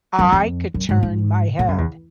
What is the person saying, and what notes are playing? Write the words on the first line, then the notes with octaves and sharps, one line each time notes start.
I could turn my head.
F#2
F2
F#2
G#2
G#2
A2
F#2
E2